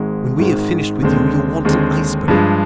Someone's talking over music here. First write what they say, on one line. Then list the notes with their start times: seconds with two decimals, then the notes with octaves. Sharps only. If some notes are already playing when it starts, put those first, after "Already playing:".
When we have finished with you, you'll want an iceberg.
Already playing: G#1 G#2 D#3 G#3
0.39 G#1 G#2 D#3 G#3
1.02 D#2 D3 G#3 C4
1.65 D#2 D3 G#3 C4
2.28 G2 F3 G#3